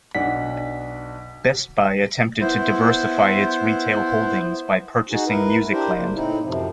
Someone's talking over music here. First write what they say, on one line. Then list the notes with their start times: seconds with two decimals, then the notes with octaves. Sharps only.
Best Buy attempted to diversify its retail holdings by purchasing Musicland.
0.15 B1 D4 F#5 B6
2.41 B3 E4 C5
5.10 D#4 F#4 G#4
5.26 E4 A#4 B4
5.71 D4 E4 G4 A#4 C5
5.98 C#3 A#3
6.13 A2 C4 D#4 E4
6.43 F#2 C3 F3